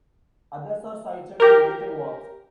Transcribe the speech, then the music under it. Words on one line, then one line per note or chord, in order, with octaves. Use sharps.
Others are cited in later works.
G4 A#4